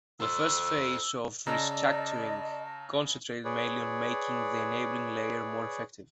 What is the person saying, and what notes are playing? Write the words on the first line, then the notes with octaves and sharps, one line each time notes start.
The first phase of restructuring concentrated mainly on making the enabling layer more effective.
A4 C5 E6
C#3 D5 D#5 A5 A#5 E6 A#6
G#4 B4 C#5 D5